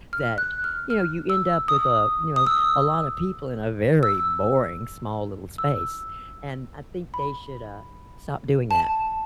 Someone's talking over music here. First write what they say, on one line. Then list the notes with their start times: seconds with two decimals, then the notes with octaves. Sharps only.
that, you know, you end up with a, you know, a lot of people in a very boring, small little space, and I think they should, uh, stop doing that.
0.13 F6
0.38 F#6
0.64 F6
0.90 F6
1.30 E6
1.68 D#6
2.36 D#6
2.47 E6
4.03 E6
5.58 E6
7.14 B5
8.71 A5